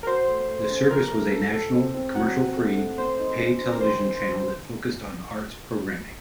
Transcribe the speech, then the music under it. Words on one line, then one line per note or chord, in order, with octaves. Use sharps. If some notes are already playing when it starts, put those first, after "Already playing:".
The service was a national commercial-free pay television channel that focused on arts programming.
A#4
F#4 C5
A3
A3
C#4
F3 A#4
A3
A4
A4
C4
C4
F#3 F#5
C4
A3
A3
C4 C5
D#4
C#4
C#4
A#4
D#3 C5